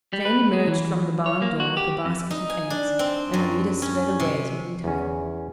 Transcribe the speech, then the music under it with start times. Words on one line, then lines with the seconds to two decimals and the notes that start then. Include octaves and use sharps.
Jane emerged from the barn door with a basket of eggs, and Alida sped away to meet her.
0.13 G3
0.25 B4
0.53 G#3
0.67 E3
1.26 C#5
1.42 A#3
1.60 F#4
1.77 G4
2.05 F2
2.30 D#4
2.50 G#5
2.70 D4
2.99 C4
3.34 F#2
3.82 C#4
4.20 C3
4.84 E2 C#4